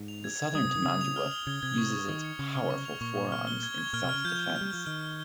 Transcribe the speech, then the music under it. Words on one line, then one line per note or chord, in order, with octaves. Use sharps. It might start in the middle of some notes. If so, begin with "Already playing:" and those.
The southern tamandua uses its powerful forearms in self-defense.
Already playing: G#2
F7
G#6
G#6
G3 D#6
C3
D#6
D#3
C#3 D#6
F7
F6
G7
C#3 G#6
C3 G#6
C#6
C#6
D#3 D#6
C#7
C#3 F6
F6
C#6
F7
A#2 C#6
C#6
F6
G7
G#6
G#6
A#2 F6
C3
F6
C#3
F3 G6
G6
F6
G3
F3 G7
D#3 F6
G7